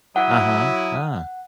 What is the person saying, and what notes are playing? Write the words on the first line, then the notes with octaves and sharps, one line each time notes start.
Uh-huh, ah.
F#3 E4 F#5 D#6